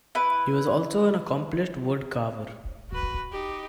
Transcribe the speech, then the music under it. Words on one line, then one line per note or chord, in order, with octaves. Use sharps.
He was also an accomplished wood carver.
E4 B4
F#4 B4
D#4 G4